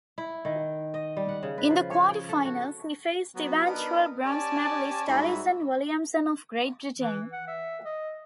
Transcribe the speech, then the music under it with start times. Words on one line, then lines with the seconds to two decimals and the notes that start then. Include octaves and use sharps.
In the quarterfinals, He faced eventual bronze medalist Alison Williamson of Great Britain.
0.18 E4
0.45 D#3
0.94 D#5
1.17 G3
1.29 F#5
1.43 C#3
1.58 B4
1.70 F3
1.91 C#5
2.09 G5
2.29 A4
2.45 F#4
3.35 F#3 B3 F#4
3.65 B3 D4 D#4 A#4 B4
4.25 C#4 G4 D5 G#5 A5
5.07 G#2 G3 A3 F#4 E5 B5
6.99 E3
7.32 F#5
7.48 E5
7.85 D#5